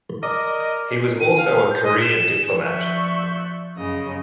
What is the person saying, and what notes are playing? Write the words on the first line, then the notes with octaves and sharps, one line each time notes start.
He was also a career diplomat.
A#4 D5 D#5 D6
D#7
F5
G6
D#5
E7
F3 D5 E5 C#6 F#6 G6
F#2 C#3 D#5